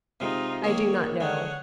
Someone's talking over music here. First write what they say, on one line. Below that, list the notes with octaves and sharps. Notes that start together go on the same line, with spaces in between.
"I do not know."
C3 G#3 D#4 F4
D#3 A#3 G#4 C#5
D3 G#3 C#5 F#5